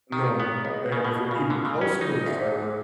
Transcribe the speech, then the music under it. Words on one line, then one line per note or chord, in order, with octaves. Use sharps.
normal and if you're even closer to the server
D#3
B3
C#2
C#3
B2
C#3
D3
C#3
C#4
D#4
D2